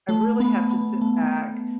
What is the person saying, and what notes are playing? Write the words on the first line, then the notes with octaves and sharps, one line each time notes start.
I really have to sit back,
A3
B3
B3
A3